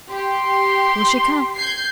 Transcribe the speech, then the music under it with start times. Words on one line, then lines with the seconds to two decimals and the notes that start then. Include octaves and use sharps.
Will she come?
0.10 G4 C6
1.55 G6 G#6 C7